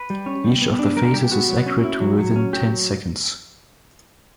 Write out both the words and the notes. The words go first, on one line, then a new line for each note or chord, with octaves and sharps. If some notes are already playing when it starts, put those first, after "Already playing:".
Each of the faces is accurate to within ten seconds.
Already playing: B4
G3
C#4
G3
B3
D4
G3 A#4
G3 G4
B3 F#4
F#3
C#4
E4
F#3
F#3
C#4
F#3 G4